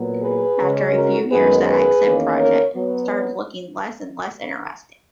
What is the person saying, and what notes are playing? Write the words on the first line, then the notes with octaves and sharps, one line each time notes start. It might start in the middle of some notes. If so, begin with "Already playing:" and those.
After a few years the Accent project started looking less and less interesting.
Already playing: A#2 F#3 B3
G#4 B4
C#3 G#3 C#4
F#4 A#4
F#2 D#3 G#3 B3 G#4 B4
G#4 B4
E2 D#3 A#3 C#4
A#4 C#5
F#3 B3